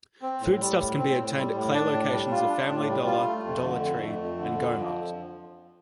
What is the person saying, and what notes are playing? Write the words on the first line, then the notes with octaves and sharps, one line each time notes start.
Foodstuffs can be obtained at Clay locations of Family Dollar, Dollar Tree, and Go-Mart.
C4
A2
G3
A2
C4
A2
G3
A2
D4
A2
G3
F4
D4
A2
G3
F4
A3
F2
D3
F2
A3
F2
D3
F2
F3